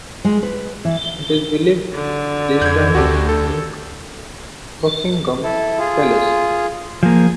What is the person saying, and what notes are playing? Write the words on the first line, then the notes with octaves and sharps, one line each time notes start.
It is believed these tunnels link to Buckingham Palace.
G#3
B4
E3
D3
F2 G6 G#6
D2 F#4 G4 A4
A4
E4 A4
F4 G#4
F3 A#3 G#4 G#5